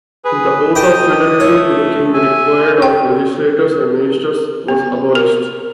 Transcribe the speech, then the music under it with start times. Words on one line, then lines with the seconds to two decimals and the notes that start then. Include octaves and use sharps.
The oath of fidelity to the king required of legislators and ministers was abolished.
0.25 G#4 B4
0.75 G4 D#5 G5 A5 D#6
1.40 A3 C#5
2.14 E5 G#5
2.82 G5
4.68 B3
5.15 A#4